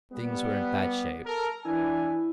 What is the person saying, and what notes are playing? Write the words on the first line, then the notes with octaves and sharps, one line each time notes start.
Things were in bad shape.
G3 B3
A4 A#4
E3 D4 E4 G#5